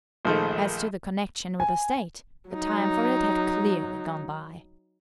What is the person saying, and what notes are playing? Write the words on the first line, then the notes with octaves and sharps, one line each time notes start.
As to the connection with the State, the time for it had clearly gone by.
A#1 D#3 F3 G#3 A3
G#5
F#3 D#4